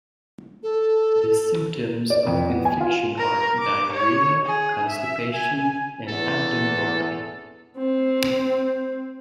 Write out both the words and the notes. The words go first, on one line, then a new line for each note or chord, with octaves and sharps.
The symptoms of infection are diarrhea, constipation, and abdominal pain.
A4
D5
F2
B3
G#5
F4
A#4
D6
C#5
G#4
E5
G#5
E2 A4
C4